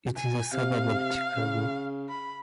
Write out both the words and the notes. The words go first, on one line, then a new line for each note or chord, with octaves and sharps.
It is a suburb of Chicago.
G#5
C3 F5
C#3
B5